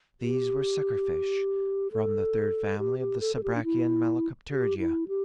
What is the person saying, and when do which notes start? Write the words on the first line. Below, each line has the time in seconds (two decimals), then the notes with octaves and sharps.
These were suckerfish from the third family of the subbrachian Malacopterygia.
0.21 G4
1.92 A4
2.79 G4
2.99 G4
3.21 A4
3.36 A4
3.43 G4
3.56 D4
3.64 E4
4.51 G4
4.78 E4
5.08 G4